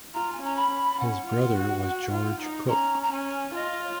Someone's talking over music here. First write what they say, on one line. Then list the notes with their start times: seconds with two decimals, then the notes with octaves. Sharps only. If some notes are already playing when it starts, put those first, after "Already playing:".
His brother was George Cook.
0.14 F4 A#5
0.32 G#5
0.42 C#4 A#5
0.56 B5
0.71 C#4
0.99 C#4 F#5
1.27 F4
1.55 F#4
1.84 F#4
2.13 F4
2.41 D#4
2.69 C#4 A#5
3.03 A#5
3.12 C#4 G#5
3.55 F4 D#5
3.84 C#5